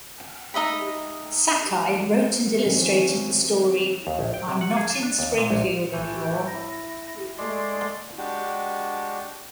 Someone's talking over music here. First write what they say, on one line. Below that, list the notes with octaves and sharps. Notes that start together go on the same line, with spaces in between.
Sakai wrote and illustrated the story I'm Not in Springfield Anymore!
D#4 D#5 E5 B5
D#3 F3 F#3 A3 C4 C#4
D#2
A#1
G5
C3
F#5
G#4
A5
D4
D#2
A#2
A#1
A1 E3 A3 G5
E4 A#6
G#3 A3 D5 C6
G#3 D4 F#4 G4